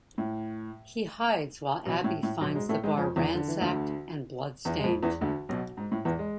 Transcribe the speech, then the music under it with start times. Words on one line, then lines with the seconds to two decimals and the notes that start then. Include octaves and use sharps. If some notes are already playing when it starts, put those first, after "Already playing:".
He hides while Abby finds the bar ransacked and bloodstained.
0.18 A2
1.86 B1 B2
2.04 A2
2.23 A2
2.41 B1 B2
2.55 G#2 G#3
2.69 A2 A3
2.84 G#2 G#3
2.98 F2 F3
3.16 E2 E3
3.35 D3
3.48 E3
3.61 D2 D3
4.65 E2 E3
4.79 G#3
4.84 F2 F3
5.03 E2 E3
5.21 D2 D3
5.49 B1 B2
5.77 G#2
5.92 A2
6.05 E2 E3
6.19 G#3